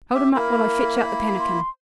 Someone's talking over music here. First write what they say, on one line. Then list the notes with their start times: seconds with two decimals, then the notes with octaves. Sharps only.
'Hold him up while I fetch out the pannikin.
0.15 G4 E5
0.35 A#3 E4 A#4 B5
1.39 C6